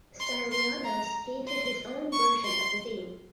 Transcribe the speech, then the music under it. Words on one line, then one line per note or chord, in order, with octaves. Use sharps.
Stylianos painted his own version of the theme.
C6
C6
A#5
C6
C#6
C6